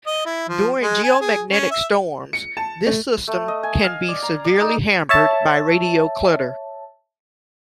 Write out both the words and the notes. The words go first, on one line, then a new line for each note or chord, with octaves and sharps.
During geomagnetic storms, this system can be severely hampered by radio clutter.
D#5
E4
F3
G#3
G#5
G#4
C#4
E5
C#7
A5
A3
A3
D#5
G#5
F5
D5
A#5
D5
D#4
C#5 E5 A5